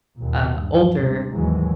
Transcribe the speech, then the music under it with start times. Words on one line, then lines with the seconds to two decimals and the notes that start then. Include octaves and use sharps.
uh, older,
0.19 D#2 A#2
0.54 G2
0.96 G2 C3 G#3
1.33 D#2 G#2 E3 F#3 G#3